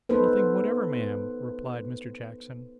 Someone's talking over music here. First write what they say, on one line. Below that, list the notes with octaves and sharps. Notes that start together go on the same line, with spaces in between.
'Nothing whatever, ma'am,' replied Mr. Jackson.
B3 D#4 A4 B4 C5